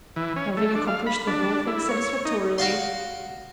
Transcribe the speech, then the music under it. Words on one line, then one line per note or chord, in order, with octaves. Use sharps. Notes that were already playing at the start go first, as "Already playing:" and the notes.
"Having accomplished the whole thing satisfactorily."
E3
C#4
A3
D4
F5
B5
D4
E4
C#5
D#4
F#4 F5 C6